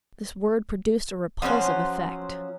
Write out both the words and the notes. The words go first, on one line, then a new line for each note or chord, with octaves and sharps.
This word produced a repulsive effect.
F3 F#3 C#4 C5